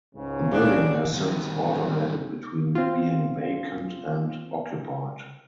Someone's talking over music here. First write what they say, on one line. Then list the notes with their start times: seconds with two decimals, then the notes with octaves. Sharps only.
The building has since alternated between being vacant and occupied.
0.15 C#2 G#2 C#3
0.52 D4
1.14 D#3 G3 C4
2.75 C4 F4